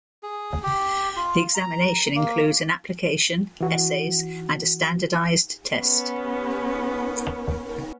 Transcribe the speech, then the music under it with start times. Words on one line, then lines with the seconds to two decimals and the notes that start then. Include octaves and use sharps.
The examination includes an application, essays, and a standardized test.
0.23 G#4
0.63 G4
1.16 F4
1.54 A#5
2.16 A#3
3.61 E3 F#4
5.74 B3 C#4